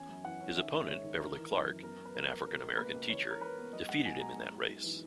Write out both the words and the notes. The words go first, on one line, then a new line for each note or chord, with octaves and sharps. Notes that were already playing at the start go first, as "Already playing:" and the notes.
His opponent Beverly Clark, an African-American teacher, defeated him in that race.
Already playing: E2 C#4 G#5
F#2
E3 F#5
C#4
D#3 E5
G#2
G#3 C#5
D#3
E3 A#4
E3
F#2
F#2
B3 A#4
B3
B4
A#1 A#4
A#1
B2 A#4
C#2
A#3 B4
C#2
E3 C#5
C#2
A#4
E3 B4
B3
B1 D#5
G#3 F#5
B1 G#5
G#3 A#5
F#2 A#5
G#3
D#4
E3